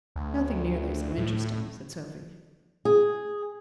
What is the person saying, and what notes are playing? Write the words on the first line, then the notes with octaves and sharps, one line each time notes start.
"Nothing nearly so interesting," said Sophy.
D2
A2
G#4